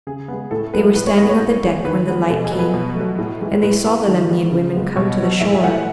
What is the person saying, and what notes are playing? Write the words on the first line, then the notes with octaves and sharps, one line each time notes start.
They were standing on the deck when the light came, and they saw the Lemnian women come to the shore.
C#3 G#4
G#3 B3
A2 A4
F#3 A3 B4
A2 B4
C#5
G#3 B3 D#5
C#5
A2
E3 G#3 B3
D#3 B4
G#3 B3
B2 A4
G#4
F#3 B3
B4
B2
F#3 A3
A2
E3 G#3
A2 B4
G#3 B3
D#3
G#3 B3
C#3
G#3 B3
B2 C#5
F#3 B3
A2 E5
G#5
E3 A3 F#5
E5